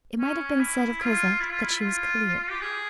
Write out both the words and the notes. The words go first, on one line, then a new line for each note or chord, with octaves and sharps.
It might have been said of Cosette that she was clear.
C#4
E4
F4
E4
F4
E4
F4
G4
G#4